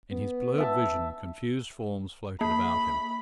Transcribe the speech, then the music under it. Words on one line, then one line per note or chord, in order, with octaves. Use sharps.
In his blurred vision confused forms floated about him.
B3
E5 A5
A#3 B5